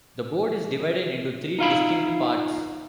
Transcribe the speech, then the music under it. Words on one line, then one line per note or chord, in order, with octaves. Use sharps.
The Board is divided into three distinct parts.
D#4 F4 F5 B5